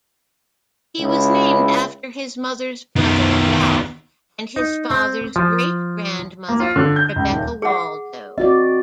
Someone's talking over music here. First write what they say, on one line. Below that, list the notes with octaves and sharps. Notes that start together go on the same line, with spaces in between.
He was named after his mother's brother Ralph and his father's great-grandmother Rebecca Waldo.
C#2 E4
D#3 B3
D#4
C4
F3
A#3
F4
D3
G6
C#2
D#1
G#4 F#5
C4 F#4 D5 D#5